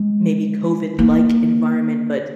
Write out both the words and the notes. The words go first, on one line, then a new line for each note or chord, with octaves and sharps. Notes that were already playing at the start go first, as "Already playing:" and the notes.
maybe COVID-like environment but
Already playing: G#3
A#3